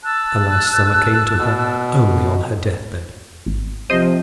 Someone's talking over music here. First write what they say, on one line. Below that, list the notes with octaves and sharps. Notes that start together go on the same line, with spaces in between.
Alas! summer came to her only on her deathbed.
A5 E6 F#6
B2
G#1
C3 F3 C5 D#5 D#6